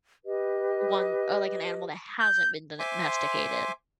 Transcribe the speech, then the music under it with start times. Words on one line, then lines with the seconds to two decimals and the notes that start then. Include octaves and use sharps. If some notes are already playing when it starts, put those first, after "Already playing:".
one or like an animal that hasn't been do domesticated.
0.25 G4 B4 D#5
2.19 G6
2.79 C5 E5 G#5 C6 D6